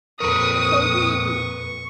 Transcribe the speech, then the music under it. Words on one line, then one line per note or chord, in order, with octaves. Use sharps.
How do you do?
F2 A#2 A#4 B4 C#6 D#6